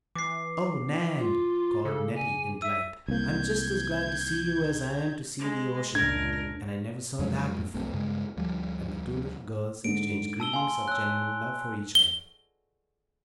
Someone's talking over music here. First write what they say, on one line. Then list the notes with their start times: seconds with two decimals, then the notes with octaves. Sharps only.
"Oh, Nan!" called Nettie, in delight, "I'm just as glad to see you as I am to see the ocean, and I never saw that before," and the two little girls exchanged greetings of genuine love for each other.
0.15 E3 D6 C7
1.18 F4
1.85 C#3 A4
2.15 G#5
2.62 E5 E6 D#7
3.08 C2 A#3 G6 G#6
5.39 G#3
5.95 F1 C#2 A#2 D4 A#4 G#6
7.19 F2 F3 F#3 G#3
7.74 B1 A3 C4
7.92 G2 C#3 G#3
8.37 D2 F3 G3
9.84 G#2 D3 D7
10.40 A5 E6 G7
10.53 F5 G#5 C6
10.88 C#5 E6 F#6
11.95 G7